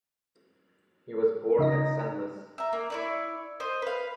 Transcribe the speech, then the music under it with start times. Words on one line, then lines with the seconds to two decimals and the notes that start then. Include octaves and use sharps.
He was born at Senlis.
1.59 C#3 D#4 D#5 A#6
2.58 E5 A#5
2.73 A#3
2.90 E4 C#5 D5
3.60 C5 D#5
3.82 B4 F5